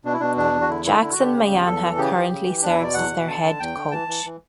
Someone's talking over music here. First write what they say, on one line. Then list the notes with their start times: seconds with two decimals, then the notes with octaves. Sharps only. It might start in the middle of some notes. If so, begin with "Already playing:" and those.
Jackson Mayanja currently serves as their head coach.
0.05 B2 D4
0.13 E4
0.20 B2 D4
0.36 E2 D4
0.53 E2
0.61 F#4
0.69 D3 E4
0.85 D3 E4
1.01 D3 E4
1.12 F#4
1.18 D3 G4
1.33 C#3
1.49 E2
1.66 E2 A4
1.82 E3
1.97 C#3 G4
2.14 E3
2.30 C#3
2.46 E3
2.62 E2 D4
2.73 E4
2.79 B2 D5
2.94 E2 F#5
3.10 B2
3.27 D3 A5
3.43 D3
3.59 E2 G5
3.76 D3
3.91 E3 A5
4.08 E3
4.24 E3